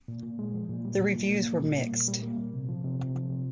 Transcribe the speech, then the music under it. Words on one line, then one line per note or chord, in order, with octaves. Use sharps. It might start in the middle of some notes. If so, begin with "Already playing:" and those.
The reviews were mixed.
A#2
A#2
G#3
F3
A#2
G3
A#2
A#2
A#3
A#2
G3
A#3
A#2
G3
A#3
A#2
C3
F3
C3
C3
F3
C3